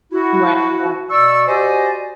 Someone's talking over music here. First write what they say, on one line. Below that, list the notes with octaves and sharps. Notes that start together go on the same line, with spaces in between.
Right, yeah.
E4 F#4
B2 D5 C#6 E6
F#4 G4 C5 D5 D#5 G#5